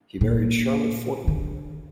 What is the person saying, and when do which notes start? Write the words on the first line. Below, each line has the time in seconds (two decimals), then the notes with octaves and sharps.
He married Charlotte Forten.
0.21 A#2
1.27 D3